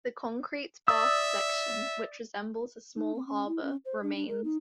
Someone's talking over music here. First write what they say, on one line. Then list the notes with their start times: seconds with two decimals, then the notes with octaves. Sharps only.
The concrete baths section, which resembles a small harbour, remains.
0.88 D5 E5 D#6 E6
2.96 D#4
3.15 C4
3.27 C#4
3.48 E4
3.62 C#4
3.85 C5
4.03 D4
4.16 D4
4.29 A#4
4.44 D#4